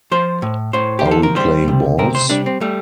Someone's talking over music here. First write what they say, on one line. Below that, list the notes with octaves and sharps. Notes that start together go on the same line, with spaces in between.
Are we playing balls?
F3 C5
A2
A2 C5
G4
F3
A4
A#4
G3 C5
C3
C3 A#4
C5
G3 D4
C4
G3 A3